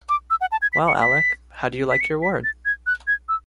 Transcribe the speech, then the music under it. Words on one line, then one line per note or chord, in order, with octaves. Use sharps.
Well, Alec, how do you like your ward?
D6
E6
F#5
A5
G#6
B6
C#7
B6
B6
C#7
B6
A6
G#6
F#6
G#6
E6